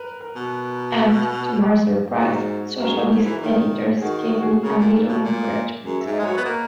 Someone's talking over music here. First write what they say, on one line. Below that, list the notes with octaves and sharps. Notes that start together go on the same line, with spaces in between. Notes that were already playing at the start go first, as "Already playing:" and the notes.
And, to my surprise, Socialist editors gave me a little encouragement.
Already playing: A#4 B4
A#4
B2
G#4
G#2 F#4
F#2 A#4
G#4
G#2 F#4
G#2 G#4
E3
D#3
G#4
D#3 F#4
F#4
F#4
G#4
C#3 A#4
A#2
G#2
B2
A#2
F#2 G#4
E5
G#2
D#5
G#3
F#3 C#5
B3 B4
A#3 A#4